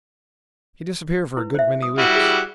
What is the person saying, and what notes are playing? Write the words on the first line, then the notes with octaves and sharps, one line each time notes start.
He disappeared for a good many weeks.
E4 B4
C5 E5
D#6
G3 E4 F#4
G#4